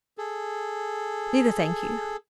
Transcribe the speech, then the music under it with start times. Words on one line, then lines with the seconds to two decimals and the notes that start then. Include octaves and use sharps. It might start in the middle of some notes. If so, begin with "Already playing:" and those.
"Neither, thank you."
0.18 G#4 A4